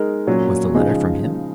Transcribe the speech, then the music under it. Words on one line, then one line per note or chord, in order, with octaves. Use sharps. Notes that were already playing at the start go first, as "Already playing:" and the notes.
"Was the letter from him?"
Already playing: G#3 D#4 A#4
A#2 F#3 C#4
C#3 F3 G#3 D#4 G#4